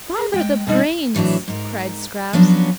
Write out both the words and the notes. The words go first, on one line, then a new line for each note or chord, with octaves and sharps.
"Bother the brains!" cried Scraps.
G#4
G#3 G5
B2 G3 D#4
A2 E3 F#3 D4 E4
G#2 A#4
F3 F#3 B3 C#4 D4 F#4